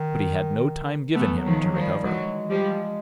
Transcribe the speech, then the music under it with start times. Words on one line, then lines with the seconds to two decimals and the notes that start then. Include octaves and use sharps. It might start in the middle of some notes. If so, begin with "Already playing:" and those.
But he had no time given him to recover.
Already playing: D#3
1.14 E3 A3 B3
1.37 F#3
1.45 D#3 F3
1.60 F#3
1.75 D#3 F3
1.82 G3
2.04 E3 F#3 G#3
2.50 F3 G3